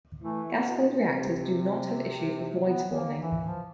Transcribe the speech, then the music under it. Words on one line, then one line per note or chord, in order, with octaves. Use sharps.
Gas-cooled reactors do not have issues with voids forming.
E3 A3
B3
B2
C3
B3
A#3
E3
F3